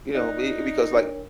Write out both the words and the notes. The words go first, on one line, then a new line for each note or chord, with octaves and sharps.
You know? B because, like
D#4 D5 F#6
D4 A#4 C#5